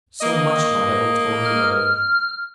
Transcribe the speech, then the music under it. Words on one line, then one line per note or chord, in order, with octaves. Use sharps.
So much my double told me readily.
A#3 D#5
F6